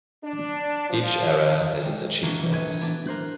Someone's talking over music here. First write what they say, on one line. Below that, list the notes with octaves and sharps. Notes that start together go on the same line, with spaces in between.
Each era has its achievements.
D4
F3
D#3 G3 G#3
E3 F#3 A#3 D4 F#4
G#2 E3
A#1 A2 B4 C#5 G#6 D#7
E3 B3 D4
A#4 C5 F#6